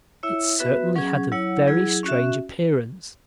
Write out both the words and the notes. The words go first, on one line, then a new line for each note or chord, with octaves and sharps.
It certainly had a very strange appearance.
E4 C#5 E5
B3 F#4 B4 E5
F#3 C#4 G#4
F#3 E4 C#5 F#5
F#3 E4 G#4
C#4 F#4 E5